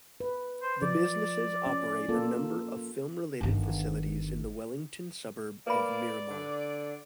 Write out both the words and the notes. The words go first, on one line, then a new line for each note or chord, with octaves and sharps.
The businesses operate a number of film-related facilities in the Wellington suburb of Miramar.
B4
C5
F3 D5
C#4
A#3 F4 A4
G1 D#3
A#3 B4 D5 B5
D3